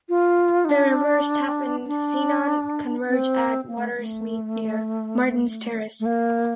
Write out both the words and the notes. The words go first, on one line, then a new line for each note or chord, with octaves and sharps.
The rivers Taff and Cynon converge at Watersmeet near Martin's Terrace.
F4
D#4
D4
C4
D4
C4
A#3
A3
A3
A3
A#3